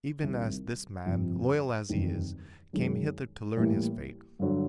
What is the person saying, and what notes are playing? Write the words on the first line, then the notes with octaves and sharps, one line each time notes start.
Even as this man, loyal as he is, came hither to learn his fate.
C2 C3 D#3
G1 F2 C3
F#1 E2 C3 D#3 G3
F#2 D#3 G#3
A2 E3 G3 A#3
G2 D3 F#3